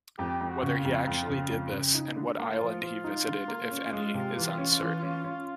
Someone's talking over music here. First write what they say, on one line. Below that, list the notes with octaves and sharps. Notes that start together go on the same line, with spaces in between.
Whether he actually did this and what island he visited, if any, is uncertain.
F2 G4
F2
F#4
C#3
F4
F2
F2
C#3
F2
C#3
D#4
D3
A#3 F4
F3
F3 F4
D#4
D3
A#3
C#4
G#3
C3
E3
C#4
E3
C#4
C#4